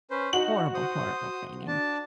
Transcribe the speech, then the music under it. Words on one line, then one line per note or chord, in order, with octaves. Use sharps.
horrible, horrible thing, and,
C#4 B4 C5
D#4 F#4 F#7
C5 D#6
D4 A5